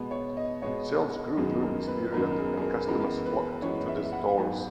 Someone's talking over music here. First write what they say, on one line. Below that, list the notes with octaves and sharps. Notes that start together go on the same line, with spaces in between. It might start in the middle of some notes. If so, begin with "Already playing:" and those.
Sales grew during this period and customers flocked to the stores.
Already playing: B2 G#3 B3
C#5
D#5
B2 G#3 B3 C#5
F#2 D#3 F#3 B3 G#4
A#4
B4
F#2 D#3 F#3 B3 A#4
A#4
G#4
G#4
A#4
F#2 E3 G#3 B3 A#4
B4
F#2 E3 G#3 B3 C#5
E5
E5
F#5
G#2 F#3 B3 G#5